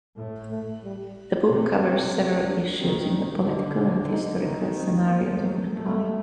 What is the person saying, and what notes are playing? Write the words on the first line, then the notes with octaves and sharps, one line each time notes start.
The book covers several issues in the political and historical scenarios of Nepal.
A2 A3
A3
G3
C3
F#3
A3
D4
D#3 C4
D4
D3 D#4
D3 D4
D#4
D#3 D#4
C4
A#3
F#3
A3